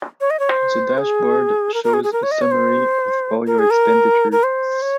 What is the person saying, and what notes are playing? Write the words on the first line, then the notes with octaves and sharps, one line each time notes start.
The dashboard shows a summary of all your expenditure.
C#5
D#5
C#5
C5
G#4
A#4
A#4
G#4
G#4
A#4
C#5
D#5
C#5
C5
A#4
G#4
A#4
A#4
C5
C#5